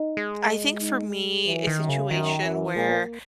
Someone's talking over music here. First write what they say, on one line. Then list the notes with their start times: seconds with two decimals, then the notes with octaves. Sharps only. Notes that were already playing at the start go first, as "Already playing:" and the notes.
I think for me a situation where,
Already playing: D#4
0.17 G#3
0.81 D#4
1.46 E3 F#3
1.67 D#3
1.79 F#2
1.89 C#3
2.10 F#2 D#3
2.42 F#2 E3
2.75 A#2 G#3
2.90 B3
2.96 A#3